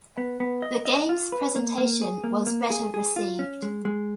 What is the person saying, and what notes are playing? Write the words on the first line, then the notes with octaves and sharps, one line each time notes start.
The game's presentation was better received.
B3
B3
D#5
D#5
F4
B4
A#3
A#3
G#4
A#3
A#3
G#4
G#4
F4
C#4
G#3
G#3